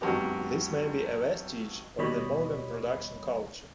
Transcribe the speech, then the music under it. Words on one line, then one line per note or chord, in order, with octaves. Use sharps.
This may be a vestige of the Morgan production culture.
G#1 F#2 B3 G4
D#2 B2 G3 C#5 D#5 B5